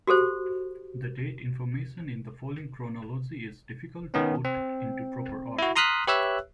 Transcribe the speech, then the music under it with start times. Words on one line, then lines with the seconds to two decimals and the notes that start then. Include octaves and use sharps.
The date information in the following chronology is difficult to put into proper order.
0.07 F#4 G4 A4 C5
4.14 D#3 B3 C#4
4.45 C4
5.58 E4 F#4
5.76 A#5 C6 D#6 F6 F#6 B6
6.07 G4 B4 C#5 E5 E6 F#6